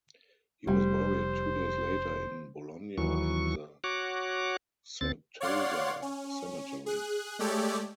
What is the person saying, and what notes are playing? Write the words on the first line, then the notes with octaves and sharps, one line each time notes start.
He was buried two days later in Bologna in the Certosa cemetery.
F1 G3 C5
D#2 E3 F#3 C#6
F#4 C#5 F#5 D6
D2 C4 A6
C#5 D5 F5 F#5 C6
C#4
G#4 F#6
G#3 A3 G4 A4 C#5 D5